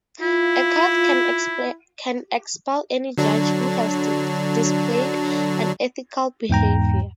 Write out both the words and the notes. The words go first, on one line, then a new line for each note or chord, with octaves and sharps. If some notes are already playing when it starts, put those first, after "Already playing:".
A Court can expel any judge who has displayed unethical behavior.
E4 F4
D3 F#3 D4
E2 G#2 G5 A#5